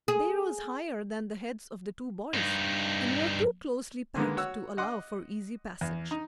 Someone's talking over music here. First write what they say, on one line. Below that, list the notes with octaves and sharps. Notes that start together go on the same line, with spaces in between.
They rose higher than the heads of the two boys and were too closely packed to allow for easy passage.
G#4
G2 D#4
D3 D#3 G#3 A#3 B3
F#4 C#5 F#5 E6
D#5 F#5 C6 D6
E2
D#4